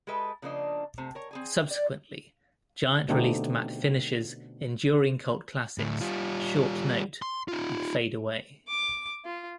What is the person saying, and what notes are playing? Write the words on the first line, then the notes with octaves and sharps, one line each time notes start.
Subsequently, Giant released Matt Finish's enduring cult classics "Short Note" and "Fade Away".
G#3 G4 A4 B4 D#5 E5
C#3 F3 A#3 D4 D#5
C3 A3 C5
A#4 C#5
C4 G#4 G#5
D5
B2 D3 A3 C4 D#4 G4
D2 A2
G3 F4
C6
D#4 F4
D6
F4